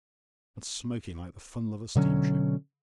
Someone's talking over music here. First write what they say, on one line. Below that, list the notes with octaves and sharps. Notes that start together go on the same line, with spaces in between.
And smoking like the funnel of a steamship!
B2 D3 F#3 C#4